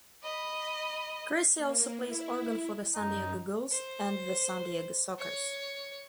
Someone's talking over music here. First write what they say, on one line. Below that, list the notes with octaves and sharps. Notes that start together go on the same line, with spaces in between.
Cressey also plays organ for the San Diego Gulls and the San Diego Sockers.
D#5 B5
A#3
E4
F#2 D#4
C5
C#5